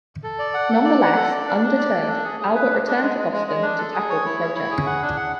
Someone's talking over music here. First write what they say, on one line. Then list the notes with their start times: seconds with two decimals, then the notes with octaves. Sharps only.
Nonetheless, undeterred, Albert returned to Boston to tackle the project.
0.24 A4
0.39 D5
0.54 F#5
0.70 A4
0.85 D5
1.01 F#5
1.16 A4
1.31 D5
1.46 D4
1.62 D4
1.78 D5
1.93 A4
2.08 D4
2.24 G#4
2.40 G#4
2.55 B4
2.71 D4
2.86 D4
3.02 G#3
3.17 G#3
3.32 G#3
3.48 G#3
3.62 D4
3.78 A4
3.94 G#4
4.10 C#5
4.25 E4
4.40 C#5
4.55 E4
4.71 G#4
4.86 F#5
5.02 D4
5.17 F#5